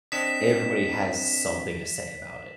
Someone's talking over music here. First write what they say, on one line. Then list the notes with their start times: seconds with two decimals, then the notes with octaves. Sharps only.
everybody has something to say about it,
0.12 C4 D4 D#5 B6 E7